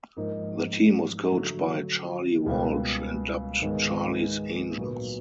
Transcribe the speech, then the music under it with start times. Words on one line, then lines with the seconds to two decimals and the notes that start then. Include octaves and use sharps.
The team was coached by Charlie Walsh and dubbed "Charlie's Angels".
0.17 G#2 F3 A#3 D#4
1.32 D3 F#3 A3
2.46 C#2 B2 G3 A#3
3.61 G#2 D#3 G#3 B3
4.77 A#2 F#3 B3